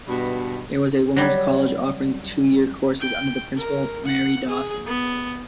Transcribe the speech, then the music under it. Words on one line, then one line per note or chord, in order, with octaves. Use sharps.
It was a women's college offering two year courses, under the Principal Mary Dawson.
G2 B2
F#3 G3
G5
A#4
F#5
G#4
B3